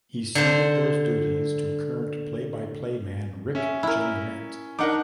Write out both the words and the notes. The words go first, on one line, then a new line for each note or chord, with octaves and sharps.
He ceded those duties to current play-by-play man Rick Jeanneret.
D3 C5
C#4 E5
E4 A#4
D4 D#4 A#4 F#5 D6